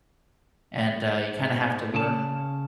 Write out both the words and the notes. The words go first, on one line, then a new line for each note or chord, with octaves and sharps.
and, uh, you kinda have to learn
G#2
C#3 C#4 A5